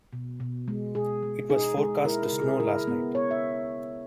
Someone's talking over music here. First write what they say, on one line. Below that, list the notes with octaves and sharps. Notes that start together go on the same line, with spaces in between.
It was forecast to snow last night.
B2
B2
G#3
B2 G#4
G#3
D#4 G#4
G#3 G#4
E4 A#4
A#4
C#3
G#4
E4 A#4
B3
B3 C#5
E5